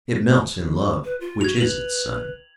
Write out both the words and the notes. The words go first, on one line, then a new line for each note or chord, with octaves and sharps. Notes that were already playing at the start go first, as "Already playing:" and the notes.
It melts in love, which is its sun.
B4
F4
F#4 G#6 F7
B4 F7 F#7